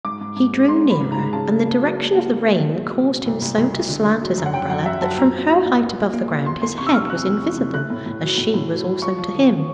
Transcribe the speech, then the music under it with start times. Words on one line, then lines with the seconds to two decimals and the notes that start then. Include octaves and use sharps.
He drew nearer, and the direction of the rain caused him so to slant his umbrella that from her height above the ground his head was invisible, as she was also to him.
0.05 G#2 D6
0.21 G#2
0.37 G#2
0.53 G#3
0.68 G#2 C6
0.85 G#2 B5
1.01 G#2
1.12 A#5
1.17 G#3
1.33 C#3 A5
1.49 A#3
1.65 A#3
1.81 F#3
1.96 A#3
2.13 A#3
2.30 A#3
2.45 A#3
2.61 G#3
2.77 B2
2.93 B2
3.10 B2
3.26 C2
3.42 C2
3.58 C2
3.73 C2
3.89 D3
4.05 D3
4.21 F#3
4.38 F#2
4.46 F#5
4.53 F#2 G5
4.69 F#2 F#5
4.86 F#2 E5
5.01 F#2 A5
5.17 A#2 A#5
5.34 F#3
5.50 F#3
5.65 A#2
5.81 A#2
5.98 A#2
6.13 A#3
6.29 A#2
6.46 E2 C6
6.62 E2 C6
6.78 C3 C#6
6.87 E6
6.94 C3 F6
7.09 C3 F#6
7.26 E2
7.42 E2
7.57 C3
7.74 A3 F#6
7.90 A2
8.06 A2
8.22 F#3
8.38 A2
8.54 A2
8.70 F#3
8.86 F#3
9.02 F3 C#6
9.18 F3
9.35 D3
9.50 F3